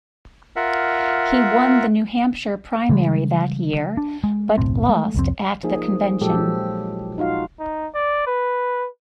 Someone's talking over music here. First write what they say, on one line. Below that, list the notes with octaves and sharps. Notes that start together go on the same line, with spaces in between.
He won the New Hampshire primary that year but lost at the convention.
F4 A#4 E5 F#5
C#3 E3 G3 G#3
D4
G#3
F#1 B1 A2 C4
G#3 A3
C2 F2 C4
F3 A#3 D#4 G#4
A#2 F3 F#3 G#3 G4 A4
D#4 F4 F#4 F5
D#4
D5
B4